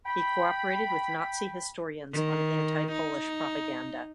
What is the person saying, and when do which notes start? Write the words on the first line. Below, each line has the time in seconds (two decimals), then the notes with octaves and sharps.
He cooperated with Nazi historians on anti-Polish propaganda.
0.06 G5 B5
2.12 D#3
2.91 D#4